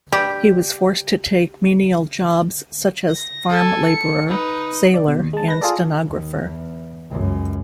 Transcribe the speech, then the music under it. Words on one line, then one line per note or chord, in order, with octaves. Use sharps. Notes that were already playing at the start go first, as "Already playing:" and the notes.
He was forced to take menial jobs such as farm labourer, sailor and stenographer.
G3 G4
A#6
A4 G#5
C#7
D#4 B4
D5
B2
D#2
G#3 A5
B4 A#6
F4 G#4 A4 D5
D#2
E2
C#2 F#2